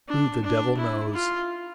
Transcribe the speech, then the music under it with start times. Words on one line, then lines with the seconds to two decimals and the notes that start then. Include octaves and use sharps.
Who the devil knows?
0.08 D4
0.43 D4
0.77 E4
1.13 F4